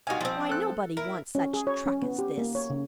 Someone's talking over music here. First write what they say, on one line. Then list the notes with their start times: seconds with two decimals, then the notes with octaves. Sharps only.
Why, nobody wants such truck as this.
0.07 C2 D#4 F#4 F5 G#5
0.21 F3 C4
0.49 A4 F#6
0.97 E4 A#4
1.35 C#4
1.54 G#4
1.67 C#5
1.86 C#4
2.02 B3
2.19 G4
2.38 A#3
2.55 C#5
2.70 C#3